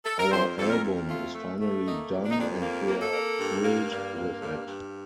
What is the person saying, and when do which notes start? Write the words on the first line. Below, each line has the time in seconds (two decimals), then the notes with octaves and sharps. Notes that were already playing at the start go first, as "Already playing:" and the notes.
Our album is finally done and we're thrilled with it.
0.06 A4
0.18 A#4
0.32 F2 C5
0.58 F2 A4
0.70 A#4
0.83 F2
1.08 A3 F4
1.35 A3
1.59 A3
1.85 A#3 D#4
2.11 F2
2.24 D4
2.31 D#4
2.36 F2 D4
2.61 A#3
2.88 A#3
3.00 A4
3.13 A#3
3.38 G2
3.64 A#3
3.89 G2
4.15 A#3
4.40 G2
4.66 G2